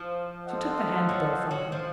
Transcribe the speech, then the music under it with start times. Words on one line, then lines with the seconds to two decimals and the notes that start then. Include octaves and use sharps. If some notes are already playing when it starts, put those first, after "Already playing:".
She took the handbill from him.
Already playing: F3
0.46 F4 A4 C5 D#5 F#5
1.09 F#3
1.51 F#3
1.72 F3